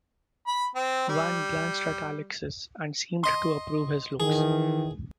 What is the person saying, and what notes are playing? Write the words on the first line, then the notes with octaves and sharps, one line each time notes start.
Van glanced at Alexis and seemed to approve his looks.
B5
C4
G3
D#5 C6
D#3 E3 G#4